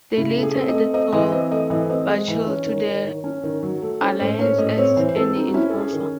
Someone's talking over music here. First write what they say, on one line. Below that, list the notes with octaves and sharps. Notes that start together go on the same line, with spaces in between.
They later added Paul Burchill to the alliance as an enforcer.
C#3 E4
A3
G#4
C4
D#5
A3
C4 D#5
E3 D#5
C4 D#5
A3 D#5
E3 D#5
C4 D#5
G#3
E3
C#4 C#5
D#3
D#3
D#3
C#4
D#3
F#3
A3
C#4 C5
A2 C5
C#4 C#5
A2 D#5
C4 C#5
E3 C5
C5
C4 A4
C4 D#4
F#4
C#4 E4
C#4 A4
G#4
D#3